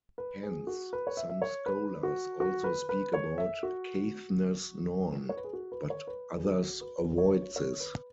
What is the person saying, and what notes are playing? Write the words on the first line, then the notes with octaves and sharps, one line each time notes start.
Hence, some scholars also speak about "Caithness Norn", but others avoid this.
B4
G#4
F#4
B4
C#5
E5
E5
C#5
B4
F#4
F#4
B4
B4
C#5
E5
F#4
C#5
B4
G#4
F#4
B4
C#5
B4
G#4
F#4
B4
C#5
C#5
B4